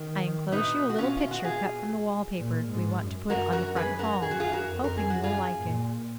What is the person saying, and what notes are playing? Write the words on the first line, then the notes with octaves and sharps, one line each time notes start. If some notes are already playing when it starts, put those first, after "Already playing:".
I enclose you a little picture cut from the wall paper we want to put on the front hall, hoping you will like it.
Already playing: D#3
B2 B3 D#4
F#4
C#4 F4
F4
F#4
F4 G#4
A#2
G#2
F#2
F#2 F#4 A#4
F#4 A#4
G#4 B4
F#4 A#4
F#2 G#4
F#4
F4 G#4
F#4 A#4
F2
A#4
G#4
F#4
F#2
F4 G#4
A#2